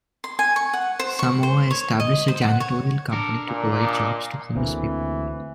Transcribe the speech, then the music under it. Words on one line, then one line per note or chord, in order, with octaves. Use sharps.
Samoa established a janitorial company to provide jobs to homeless people.
C6
G#5
C#6
F#5
C5
C#6
C5
C#5
D#5
C5
F#5
C#5
D4 A4 A#4
A#2
D4 D#4
D2 E3 A#3 C4